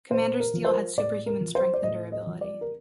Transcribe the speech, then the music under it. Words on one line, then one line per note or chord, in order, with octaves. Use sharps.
Commander Steel had superhuman strength and durability.
A#2 C5
A#4
F3
C5
A#4
A2 D5
A#4
F3
C5
D5
A2 D#5
D#5
F3
D5
A#4